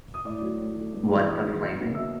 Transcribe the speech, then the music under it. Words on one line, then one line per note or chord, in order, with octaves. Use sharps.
What the flaming.
D#6
A2 D5 D6
F#3 A3
A2
F#3 A3
G2
E3 G#3
D6
G2 D#5 D#6
E3 G#3
B2
F#3 A#3
B2 E5 E6